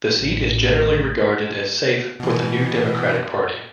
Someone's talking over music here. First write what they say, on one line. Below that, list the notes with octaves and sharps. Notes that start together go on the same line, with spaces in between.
The seat is generally regarded as safe for the New Democratic Party.
A1
B2 E3